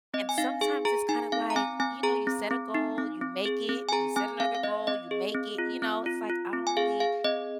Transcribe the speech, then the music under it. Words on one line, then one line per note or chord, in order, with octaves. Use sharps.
And sometimes, it's kinda, like, you know, you set a goal, you make it. You set another goal, you make it. You know, it's like, I don't really
C4 D#5
G#5
D#4 F5
G#4 G#5
G#4 A#5
D#4 G#5
C4 F5
A#5
C4 G#5
C4 G#5
G#4 A#5
C4
C4
D#4
C4
C4
G#4
C4
G#5
G#4 A#5
C4 G#5
C4 F5
F5
C4 D#5
C4 D#5
G#4
C4
F4
C4
F4
F4
C4
G#5
G#4 F5
G#4 F5
C4 D#5